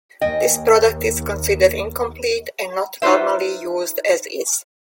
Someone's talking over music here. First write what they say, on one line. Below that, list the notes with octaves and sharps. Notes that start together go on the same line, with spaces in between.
This product is considered incomplete and not normally used as is.
D#2 D#5 G5 G#5
D#4 F4 B4 C5 E5